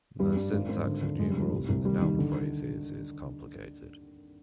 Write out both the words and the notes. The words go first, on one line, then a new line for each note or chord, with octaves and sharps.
The syntax of numerals in the noun phrases is complicated.
G2 G3
G2
G#1
G#1
D3
D3
F1 G#3
G3
F1
F3
C2 G3
C2
D#2 G3
D#3
D3